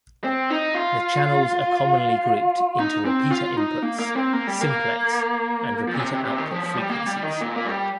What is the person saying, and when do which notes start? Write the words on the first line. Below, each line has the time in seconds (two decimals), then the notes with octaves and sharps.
The channels are commonly grouped into repeater inputs, simplex, and repeater output frequencies.
0.24 C4
0.50 D#4
0.75 F4
2.80 D#4
3.06 C4
3.31 F4
3.57 D#4
3.82 A#3
3.99 A#3
4.16 C4
4.33 A#3
4.47 G3
4.61 A#3
5.87 F3
5.94 A#2
5.99 C3
6.12 C3
6.25 C3
6.38 D#3
6.51 F3
6.63 F3
6.76 G3
6.90 A#3
7.06 G3
7.23 D#3
7.41 A#2
7.56 A#3
7.65 G3